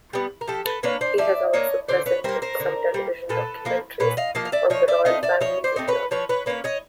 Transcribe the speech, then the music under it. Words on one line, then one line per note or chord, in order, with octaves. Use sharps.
He has also presented some television documentaries on the royal families of Europe.
G3 B3
A#4
F3 G4 A4
A4 B4
A#3 D4 B4 C#5
C5 D5
F3 D5 E5
A#3 D4 C#5 D#5
D3 C5 D5
B4 C#5
G3 A#3 A#4 C5
A#4 C5
D3
G3 A#3
A#2 A4 B4
F3 A#3
A#2 B4 C#5
D#5 F5
F3 A#3 D#5 F5
F5
D5 E5
F3 C#5 D#5
D5 E5
A3 C4 D#4 D#5 F5
D5 E5
F3 C#5 D#5
C5 D5
A3 C4 D#4
B4 C#5
F3 B4 C#5
B4 C#5
A#3 C#4 B4 C#5
C#5 D#5